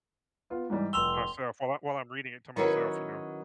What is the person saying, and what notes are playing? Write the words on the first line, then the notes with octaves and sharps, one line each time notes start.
myself while I while I'm reading it to myself, you know?
B3 F4
G#2 E3 G3
F1 C6 E6 F7 G7
D#3 F#3 C#4 E4 F#4 B4